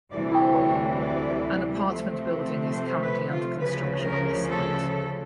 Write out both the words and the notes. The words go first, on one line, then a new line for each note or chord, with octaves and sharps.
An apartment building is currently under construction on the site.
D2 C3 E3 G3 D5
C#5
D5
C3 F3 A3 C4
C5
B4
F4
D2 C#3 F3 B4
A#4
A4